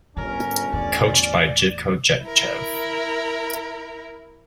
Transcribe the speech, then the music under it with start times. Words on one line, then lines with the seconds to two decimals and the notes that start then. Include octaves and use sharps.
Coached by Jivko Jetchev.
0.17 G1 G#2 C#4 A#4
0.73 E2 A2 D5
2.23 E4 A#4